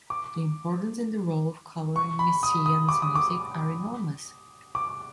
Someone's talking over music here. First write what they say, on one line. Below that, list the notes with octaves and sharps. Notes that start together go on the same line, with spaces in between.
The importance and the role of color in Messiaen’s music are enormous.
D6
C#6
B5
D#6
D#6
D6
D#6
D6
D6